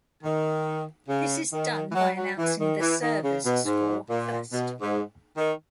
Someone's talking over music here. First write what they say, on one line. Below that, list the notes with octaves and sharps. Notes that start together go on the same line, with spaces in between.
This is done by announcing the server's score first.
D#3
C#3
D#3
E3
F#3
F#3
E3
D#3
E3
D#3
C#3
B2
G#2
A#2
B2
G#2
D#3